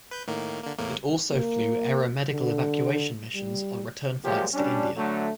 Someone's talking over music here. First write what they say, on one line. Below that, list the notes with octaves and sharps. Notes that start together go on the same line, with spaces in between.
It also flew aeromedical evacuation missions on return flights to India.
B4 G6
A2 D#3 A#3
D3 A#3
E2 A2 A#3
A#3
D3
G3
A#2 F3 F#3 G#3 G4
G3 C#4 D4
D3 F#3 A3